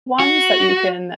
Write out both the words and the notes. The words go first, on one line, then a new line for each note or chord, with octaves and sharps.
ones that you can
F#4